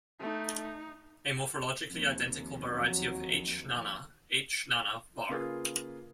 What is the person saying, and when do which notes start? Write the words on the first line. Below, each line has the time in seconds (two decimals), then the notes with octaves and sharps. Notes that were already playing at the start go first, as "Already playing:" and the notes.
A morphologically-identical variety of "H. nana", "H. nana" var.
0.20 A3 D#4
0.60 D#4
1.90 D#2 D#3 F3 C4
2.63 F#3
5.29 C#3 A#3 F4 G#4 B4